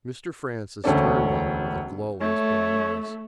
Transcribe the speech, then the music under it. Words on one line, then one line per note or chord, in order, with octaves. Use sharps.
Mr. Francis turned on her with a glow in his brown eyes.
E1 D2 C4 C#4 A4 D5
A3 C#5